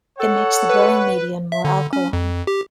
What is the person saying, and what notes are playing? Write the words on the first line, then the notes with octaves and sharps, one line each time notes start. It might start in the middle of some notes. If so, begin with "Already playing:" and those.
It makes the growing medium more alkaline.
A4 C#5 F#5
B4
E5
D3
C#4
F2
G4